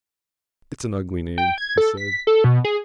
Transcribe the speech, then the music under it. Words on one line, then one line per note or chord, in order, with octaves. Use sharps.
"It's an ugly name," he said.
G5
G#6
A4
B6
A4
B2
G#4